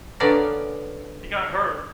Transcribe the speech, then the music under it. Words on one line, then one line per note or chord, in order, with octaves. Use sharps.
he got hurt
D3 B3 C#4 A#4 D5 F5